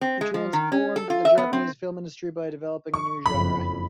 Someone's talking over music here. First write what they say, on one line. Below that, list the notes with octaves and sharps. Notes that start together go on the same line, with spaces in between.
He transformed the Japanese film industry by developing a new genre.
C4
G#3
F3
D#3
C#4
A4
F4
E5
B3
C4
C#6
F#1 F2 B5